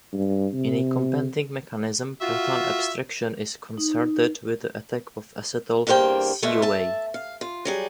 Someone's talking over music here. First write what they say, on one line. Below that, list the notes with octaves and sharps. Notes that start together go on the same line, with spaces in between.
In a competing mechanism, proton abstraction is concerted with the attack of acetyl CoA.
G2
C3
F4 F#4 E5
D#4
E2 G2 A#3 C5 G5
E2 B2 A3 F4 E5
E5 A5
F5
F4
F#3 G3 G#4